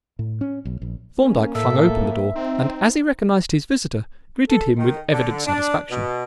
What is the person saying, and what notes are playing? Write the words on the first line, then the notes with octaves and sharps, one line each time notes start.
Thorndyke flung open the door, and, as he recognized his visitor, greeted him with evident satisfaction.
A2
C#4
B1
A#1
A#3 C#4
A2 A4 E5
C4 D#4
A4
D#3
D3
D4
B2